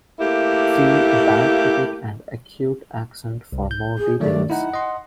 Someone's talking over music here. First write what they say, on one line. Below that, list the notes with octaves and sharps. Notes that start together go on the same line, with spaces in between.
See Diacritic and Acute accent for more details.
A3 A#3 E4 G4
C2
G6
G#4
D#3 F#3 A3 D5
D#4 E4 F#5
D#5 C6